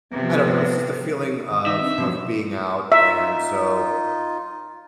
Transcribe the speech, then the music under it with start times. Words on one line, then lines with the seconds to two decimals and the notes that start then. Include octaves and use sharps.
I don't know, it's just a feeling of of being out, and so,
0.12 C3 F3 B3
1.51 D#3 F#5
1.66 D#4 E5
1.81 C4 D4
1.98 B2 F3 F#3
2.92 D#4 F4 E5